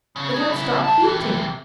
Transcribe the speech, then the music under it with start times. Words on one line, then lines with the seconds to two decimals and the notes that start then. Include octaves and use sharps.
It had stopped beating.
0.16 C#3 C#4
0.34 D#4 G#4
0.47 C#3 E4
0.84 D#4 A5
1.03 C3 E3